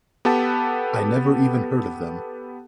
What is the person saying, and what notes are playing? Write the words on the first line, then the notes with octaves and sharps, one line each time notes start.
I never even heard of them.
B3 G4 A4 B4 F#5 A5